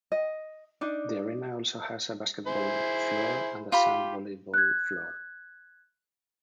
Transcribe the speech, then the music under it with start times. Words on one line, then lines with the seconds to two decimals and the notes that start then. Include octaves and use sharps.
The arena also has a basketball floor and a sand volleyball floor.
0.12 D#5
0.81 D4 D#4 D5
2.47 E4 G#4 C5
3.72 F4 G4 B5
4.54 F#6 G#6